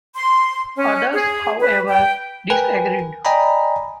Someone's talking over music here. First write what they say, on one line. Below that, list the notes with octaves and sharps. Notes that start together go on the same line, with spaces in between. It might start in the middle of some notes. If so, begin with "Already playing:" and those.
Others, however, disagreed.
C6
C#4
G#4
B4
G5
A#4 B4 G5 G#5
D5 D#5 G5 G#5 A#5 B5